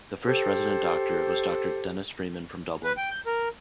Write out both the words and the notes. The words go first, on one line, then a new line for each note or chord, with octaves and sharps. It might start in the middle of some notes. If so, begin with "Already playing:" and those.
The first resident doctor was Dr Denis Freeman from Dublin.
G4 A4 C5
B4
G5
G6
A#4